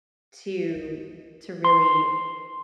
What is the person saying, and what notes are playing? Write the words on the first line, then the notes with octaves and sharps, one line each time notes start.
to to really
C6